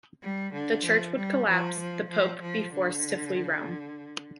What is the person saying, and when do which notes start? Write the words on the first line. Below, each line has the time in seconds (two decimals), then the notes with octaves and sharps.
The Church would collapse, the Pope be forced to flee Rome.
0.22 G3
0.54 D3
0.85 F3
1.16 G3
1.48 F3
1.80 F3
2.10 F3
2.41 F3
2.73 D3